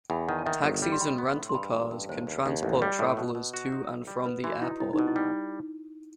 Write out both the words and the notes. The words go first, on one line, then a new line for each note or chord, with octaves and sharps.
Taxis and rental cars can transport travelers to and from the airport.
E2 G5 B5
D#3 F#5 A5
A5
D#3 E5 G5
G1
G3
C6
A2 G5 B5
B3
A2
C6
G2 G5 B5
A1
G2
D#2 C5
D#2
D#2
A1
G3
A2
B2
B2
F#4
D#4
B1
G3
B3 B4
E3 F#4
D#4 E4
C2 E4
D#4
B2
E4
G3